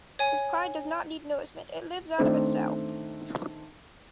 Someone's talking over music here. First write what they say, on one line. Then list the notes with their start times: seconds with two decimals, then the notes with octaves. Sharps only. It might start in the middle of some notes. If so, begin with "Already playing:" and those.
His pride does not need nourishment; it lives out of itself.
0.19 C#5 G#5
2.18 D#3 A3 C4 D4 A4 C5